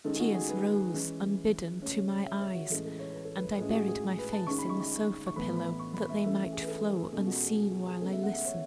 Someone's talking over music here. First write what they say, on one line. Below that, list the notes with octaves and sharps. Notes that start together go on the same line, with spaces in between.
Tears rose unbidden to my eyes, and I buried my face in the sofa-pillow that they might flow unseen while I listened.
D#3 G#3 C#4 A4
G#4
F#4
G#4
B4
E3 G#3 C#4
C#3 G#3 C#4 C#5
C#5
E5
C#5
F#4
A2 E3 G#3 C#4 A4
A4
C#5
B4
A4
B4
A2 G#3 C#4 G#4
F#4
G#4
G#4
G#4
B4
A5
D#3 G#3 C#4 C#6
B5
C#6
C#6
C#6
A2 E3 B3 B5
B5
C#6
B5
E5
E3 A3 C#4 E5
G#4
B4
A4
G#4
G#4
G#4
B2 G#3 C#4 A4
F#4
G#4
G#4
F#4
G#4
C#3 G#3 B3 A4
E5
F#5
E5
C#5